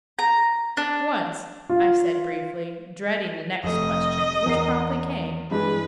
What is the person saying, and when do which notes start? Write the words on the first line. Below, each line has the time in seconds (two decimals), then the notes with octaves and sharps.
"Once," I said briefly, dreading the next question, which promptly came.
0.19 A#5
0.77 D4
1.69 F4
3.64 F1 A3 D#5
4.46 E2 A#4 C7
5.51 G2 E3 G#3 B4